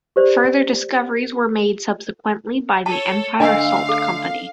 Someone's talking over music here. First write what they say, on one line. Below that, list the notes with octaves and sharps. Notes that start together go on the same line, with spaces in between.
Further discoveries were made subsequently by the Empire Salt Company.
G4 C5 D5
A4 C#5 A5
D3 A3 D4 D#5 F5 G#5
A4